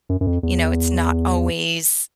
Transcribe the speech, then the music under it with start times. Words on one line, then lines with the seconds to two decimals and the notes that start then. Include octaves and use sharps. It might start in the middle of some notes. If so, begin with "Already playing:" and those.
you know, it's not always
0.09 F#2
0.21 F#2
0.27 F2
0.43 E2